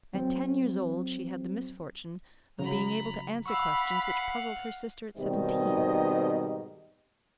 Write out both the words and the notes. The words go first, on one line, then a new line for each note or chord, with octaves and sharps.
At ten years old, she had the misfortune of being able to answer questions which puzzled her sister at seventeen.
F#3 C4
C#3 F#3 A#5 B5
F5 F#5 B5 C#6 E6
G#2 B2 D#3 G3 C4 D#5